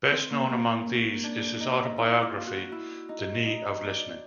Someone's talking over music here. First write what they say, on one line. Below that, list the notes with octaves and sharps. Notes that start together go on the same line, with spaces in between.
Best known among these is his autobiography, The Knee of Listening.
C4
A#3
A#3
C#4
D4
D#4
E4
F4
F#4
E4
D#4
D#4
D4